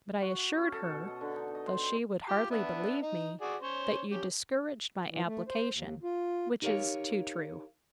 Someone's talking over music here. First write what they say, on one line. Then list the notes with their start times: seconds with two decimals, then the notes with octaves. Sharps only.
But I assured her, though she would hardly believe me, that you discouraged my application: which is too true!
0.22 F#4
0.38 F#5
0.57 C#4
0.72 A4
0.90 B2
1.08 D#5
1.21 D3
1.35 D#4
1.55 D#5
1.67 C5
1.79 C4
2.28 F4 G4
2.51 B3 D4 E5
3.02 D#4
3.41 F#4 G#4 D5
3.62 C#4 C5 C#5
4.11 C#4 G4
5.11 E3
5.26 A3
5.48 C5
5.71 D#2
6.03 F4
6.62 D#4 G4 A#4 C5 C#5 F5